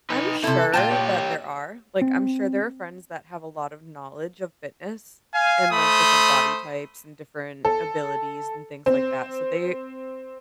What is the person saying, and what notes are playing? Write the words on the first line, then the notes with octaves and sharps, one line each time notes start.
I’m sure that there are. Like, I’m sure there are friends that have a lot of knowledge of fitness, and, like, different body types and different abilities, and things like that. So, they
D#4 B4
C3 E4 A4
A#2 F4 G5 A5
G4 C#5
C4
F5 G#5
A3 C5 B5 D#6
A4
C4